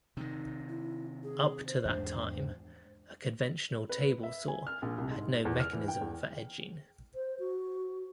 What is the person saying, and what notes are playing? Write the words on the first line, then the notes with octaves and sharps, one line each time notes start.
Up to that time, a conventional table saw had no mechanism for edging.
C3 D#3 D#4
E4
G#4
C5
E2 G#2 D4
B4
E5
G#5
F6
A#1
C2
G#2
E2
F6
E3
G5
E2
C5
F#4